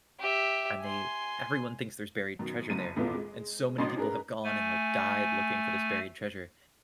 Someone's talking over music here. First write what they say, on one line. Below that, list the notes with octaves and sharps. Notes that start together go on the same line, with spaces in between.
and they everyone thinks there's buried treasure there, and so many people have gone and, like, died looking for this buried treasure,
G4 E5
G#5 C6
F#2 B2 D#3
F#1 F#2 D#7
G#1 E2 A#2 B3 F4 A4
G#3
A1 F#3 D4 D#5 C6
C#4 D#4 G#4 A#4 B4
A3 G#5